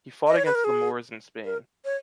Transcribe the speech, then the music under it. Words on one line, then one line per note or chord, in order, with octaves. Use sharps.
He fought against the Moors in Spain.
D#5
C#5
B4
A#4
G#4
A#4
C#5